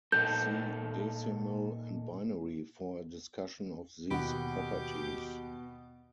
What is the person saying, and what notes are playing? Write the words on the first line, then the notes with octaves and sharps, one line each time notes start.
See decimal and binary for a discussion of these properties.
A#2 D#4 A4 G6
D#2 B2 G4 F#5 B5